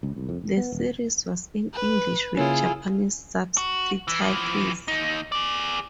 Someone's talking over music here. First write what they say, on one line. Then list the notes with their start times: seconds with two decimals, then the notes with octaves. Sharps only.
The series was in English with Japanese subtitles.
0.03 C#2
0.16 C2
0.29 F2
0.41 E1
0.57 B3
0.72 D#1
1.74 B4
2.37 C#3 A#3 C#4 E4 F4 G#4
3.57 F#4
4.08 E3
4.21 E3 F3
4.88 D#2 D#4
5.32 G#4 D5